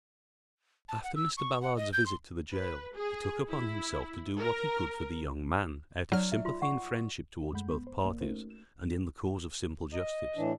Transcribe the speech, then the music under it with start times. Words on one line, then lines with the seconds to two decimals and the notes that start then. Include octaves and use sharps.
After Mr. Ballard's visit to the jail, he took upon himself to do what he could for the young man, out of sympathy and friendship toward both parties, and in the cause of simple justice.
0.88 A5
1.03 F#5
1.16 E6
1.37 C#6
1.62 F#5
1.77 D#5
1.93 G6
2.06 C6
2.52 B4
2.96 G#4
3.49 E4
4.39 A#4
6.12 F#3 D#4 D5 F6
6.32 E5
6.45 F4 C6
6.61 D5 F#5 C#6
7.53 F#2 G#3 A3 F#5 B5 G6
7.68 B3 B5
7.87 C5
8.04 A1 A#3 D5
8.21 A3 C#4 D#4 F#4 A#4 C5
8.50 E7
9.93 D#5
10.37 A2 E3 D4